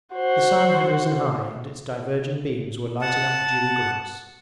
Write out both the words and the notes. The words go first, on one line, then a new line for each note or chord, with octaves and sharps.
The sun had risen high and its diverging beams were lighting up the dewy grass.
F#4 C5
F#5 A5